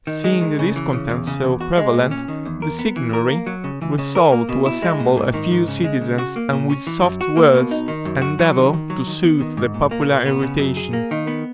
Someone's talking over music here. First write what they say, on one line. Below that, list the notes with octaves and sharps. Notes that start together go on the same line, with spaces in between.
Seeing the discontent so prevalent, the Signory resolved to assemble a few citizens, and with soft words endeavor to soothe the popular irritation.
D#3
G#3
D#3
C#3
E3
C#3
E2
C#3
E2
F#4
G#3
A#2
C#4
D#3
E2
A#4
B3
E3
A#4
A#3
F#3
C#3
E3
C#3
A#4
A#3
B2
E4
G#3
A#2
G#2
D#3
G#2
C#3
G#3
C#3
F#4
A#3
A#2
C#4
E3
F#2
F#4
A#3
B2
D#4
D#3
F#2
F#4
F#3
D#3
D#3
F#3
D#3
B3
D#3
G#2
A#2
A#3
A#2
B3
C#3
F#2
G#4
A#3
D#3
B3